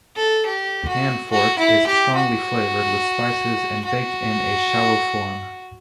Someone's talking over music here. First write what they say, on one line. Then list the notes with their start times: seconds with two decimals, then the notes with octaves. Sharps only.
Panforte is strongly flavored with spices and baked in a shallow form.
0.17 A4
0.46 G4
0.88 F#4
1.31 F#4
1.59 E4
1.87 G4
2.16 F#4
3.85 F#4